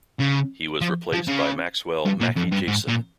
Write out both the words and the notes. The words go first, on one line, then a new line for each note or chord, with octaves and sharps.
He was replaced by Maxwell "Mackie" Jayson.
C#3
F3
F3
C#3
G2
A#2
F2
G2
G#2
A#2